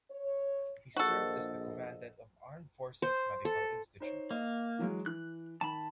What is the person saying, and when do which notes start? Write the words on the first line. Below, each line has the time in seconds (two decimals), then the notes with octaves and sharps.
He served as the Commandant of Armed Forces Medical Institute.
0.11 C#5
0.96 A#1 F#4 A4 D#5
3.02 C5
3.45 A4
4.00 D#4 C5 C#5
4.31 A#3 D#5
4.79 E3 F#3 G#3
5.06 E3 F#6
5.61 D#3 A5 B5